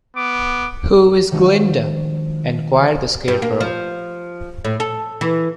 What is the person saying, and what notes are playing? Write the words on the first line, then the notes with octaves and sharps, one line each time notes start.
Who is Glinda? enquired the Scarecrow.
B3 D6
D#3 F3 G#3 D4 F4 F#4
G2
A#3
F3
A2
A4
E3